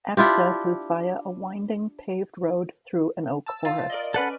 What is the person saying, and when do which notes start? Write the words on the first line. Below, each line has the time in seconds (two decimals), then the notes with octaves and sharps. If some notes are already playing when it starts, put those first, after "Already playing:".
Access is via a winding paved road through an oak forest.
0.17 D4 E4 F4 G4
3.46 A5 E6
3.65 F4 A6
3.90 A#4 D5 D#5
4.14 C#4 A4 B4 D5 F#5 B5